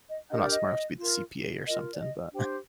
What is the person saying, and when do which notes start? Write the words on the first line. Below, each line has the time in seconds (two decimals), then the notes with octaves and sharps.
I'm not smart enough to be the CPA or something, but
0.08 D#5
0.30 D4 G4 A#4 D#5
0.41 D5
0.50 D#5
0.99 F4 A#4
1.66 F4 A#4 D#5
1.94 D5
2.00 D#5
2.33 D4 G4 C5 G5